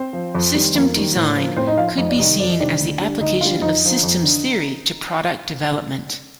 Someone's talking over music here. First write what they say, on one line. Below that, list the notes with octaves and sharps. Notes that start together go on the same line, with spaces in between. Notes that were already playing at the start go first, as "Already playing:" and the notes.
Systems design could be seen as the application of systems theory to product development.
Already playing: C4 C5
F3
F2
D#3 G3
F2 A#3 A#4
D#3 G3
A2
F3
A2 C4 C5
D#4 D#5
F3 F4 F5
F4 F5
F2 D#4 D#5
D5
C3 D#3 G3 D#4 D#5
F2 D5
D#5
C3 D#3 G3 D4 D5
D2
D3 G3
D2 D#4 D#5
D3 G3 F4 F5
F2 D#4 D#5
D3 F3
F2
D3